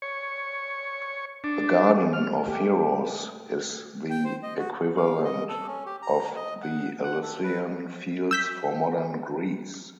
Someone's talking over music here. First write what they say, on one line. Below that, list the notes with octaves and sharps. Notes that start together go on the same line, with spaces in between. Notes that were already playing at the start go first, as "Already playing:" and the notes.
The Garden of Heroes is the equivalent of the Elysian Fields for modern Greece.
C#5
D4
F6
A3 G4
G5
C5
D#5
F#4
F5
D#5
A4
C#4
G4
A#5
D#5
F#5
F#5
A4
B4
E6 G6 B6